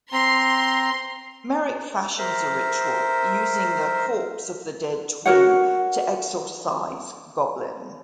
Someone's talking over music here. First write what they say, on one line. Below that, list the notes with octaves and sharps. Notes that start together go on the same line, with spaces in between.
Merrick fashions a ritual, using the corpse of the dead twin, to exorcise Goblin.
C4 A#5 C6
A#4 C5 E5
F#4 A#4 C#5 F#5